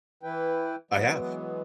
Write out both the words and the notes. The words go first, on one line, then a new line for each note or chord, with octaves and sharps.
I have.
E3 E4 B4 G5
E3 F#3 G#3 B3